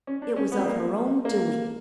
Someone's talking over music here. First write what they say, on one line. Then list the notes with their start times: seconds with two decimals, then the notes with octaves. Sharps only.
It was of her own doing.
0.07 C#4
0.22 D4
0.36 C#4
0.52 B3
0.59 G3
0.66 A#3
1.25 A#3